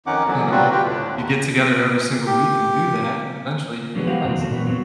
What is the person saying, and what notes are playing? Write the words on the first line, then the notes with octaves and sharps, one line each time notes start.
you know, you get together every single week and do that, and eventually you make friends, and that's
F2 D#3 C#4 D#4 F#5 D6
D3 E3 F#3 B3
G3 C4 D4 F4 F#4 B4
F4 G4 B4 G5
D2 A2 D3 D4
D#2
G4
B2 D3 F3 F#3 G#3 B3
E4 F#4 G4 C5 F5 F#5
F2 B2 F#3 C4
D#3 A4
A#2 D3 E3 F#3 B3
F#3 C4